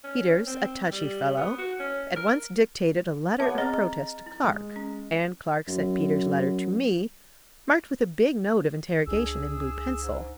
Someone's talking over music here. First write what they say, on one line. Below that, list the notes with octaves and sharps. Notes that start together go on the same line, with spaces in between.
Peters, a touchy fellow, at once dictated a letter of protest to Clark; and Clark sent Peters' letter to me, marked with a big note of interrogation in blue pencil.
C#4
C4
G3
B3
F#4
C#4
A#4
B3 C#5 E5 F#5 A5 D6
C4 G#4 D#5 A#5 F6 A6
E4
G#3
C#4
F#2
C#2 D4 G#4 E6
G#2